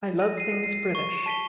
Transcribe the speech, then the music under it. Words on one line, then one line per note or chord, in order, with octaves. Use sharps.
I love things British.
A#6 D#7
C7 D#7
C7
C#6
A5 B6 G7